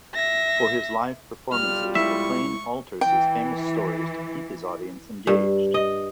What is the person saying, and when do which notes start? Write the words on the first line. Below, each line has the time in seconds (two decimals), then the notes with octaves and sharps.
For his live performances, McLean alters his famous stories to keep his audience engaged.
0.15 E5 A#6
1.52 B1 G3 F4 F6
1.95 G#3 E4 A#4 E5 C#6
3.01 E3 G5
5.27 G2
5.74 D#5